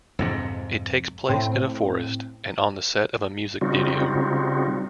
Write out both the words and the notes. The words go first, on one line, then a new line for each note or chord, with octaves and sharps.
It takes place in a forest and on the set of a music video.
F2 G#2 C3
A2 C4
C#3 G3 C4 D#4 F4 F#4